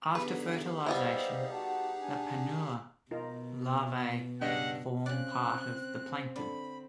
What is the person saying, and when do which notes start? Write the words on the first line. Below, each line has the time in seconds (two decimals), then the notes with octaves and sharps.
After fertilisation, the planula larvae form part of the plankton.
0.15 D3 B3 D#4 G4 G#4 B4
0.86 G3 B3 E4 C5 D#5 F5
1.52 F#4 F#5 A5
2.01 D4 G#5
3.11 B2 D#4 F4 A#4
4.41 C#2 G2 G3 D4 D#5 F#5 G5
5.06 C#3 C4 D5 F#6
6.36 D3 B5